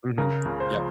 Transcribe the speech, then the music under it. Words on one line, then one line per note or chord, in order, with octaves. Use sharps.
Mhm, yep.
C#3 A#4
C#2
C5
F3